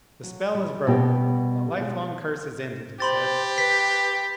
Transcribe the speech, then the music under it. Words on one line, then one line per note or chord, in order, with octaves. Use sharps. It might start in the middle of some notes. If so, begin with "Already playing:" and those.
"The spell is broken, the life-long curse is ended!" he said.
F#3
G3
B2 G3 B3 G4
G#3 G#4
G4 C5 B5 C6 A6
B4 B6